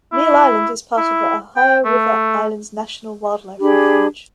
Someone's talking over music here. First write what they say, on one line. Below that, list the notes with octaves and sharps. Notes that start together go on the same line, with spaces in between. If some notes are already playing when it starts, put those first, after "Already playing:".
Neal Island is a part of the Ohio River Islands National Wildlife Refuge.
E4
E4
G5
A3
D4 G4 G#4 B5